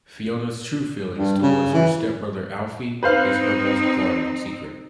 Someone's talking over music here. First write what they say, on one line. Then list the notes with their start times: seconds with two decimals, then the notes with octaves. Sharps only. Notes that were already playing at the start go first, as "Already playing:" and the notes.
Fiona’s true feelings towards her stepbrother Alfie is her most guarded secret.
1.18 G2
1.43 C#3
1.74 E3
3.03 C4 D#4 B4 C5 F5